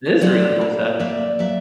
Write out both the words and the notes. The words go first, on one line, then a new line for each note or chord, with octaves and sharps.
This is really cool stuff.
F#3 C5 D5
A#3
A#3 D5 E5
F#3 D5 E5